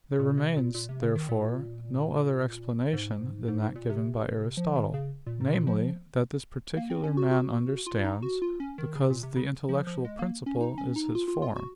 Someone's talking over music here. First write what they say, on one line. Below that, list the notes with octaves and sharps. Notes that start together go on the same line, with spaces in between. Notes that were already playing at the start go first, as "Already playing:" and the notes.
There remains, therefore, no other explanation than that given by Aristotle--namely, that this particular man understands, because the intellectual principle is his form.
A#2
C3
A#2
A#2
C3
C#3
D#3
A#2
G#2
G#2
G#2
A#2
C3
F3
D#3
C#3
A#2
G#2
C3
A#2
F3
A#3
C4
C#4
F#4
F#4
F4
D#4
F#4
F4
C#4
D#3
C#3
A#2
C3
C#3
F3
F3
G#3
A#3
C#4
D#4
C#4
D#4
F4
F4
F4
F#4